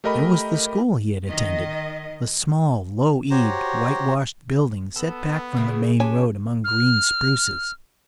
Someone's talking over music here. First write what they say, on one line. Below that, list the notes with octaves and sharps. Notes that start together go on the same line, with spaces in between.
There was the school he had attended, a small, low-eaved, white-washed building set back from the main road among green spruces.
A3 G4 A#4 D#5 G5 B5
D#3 D#5
F#4 G4 C5 C#5 A#5
B3 A4
C#3 E4 G#4
G#3 C#4 G4 C#5 G#5 A5
F6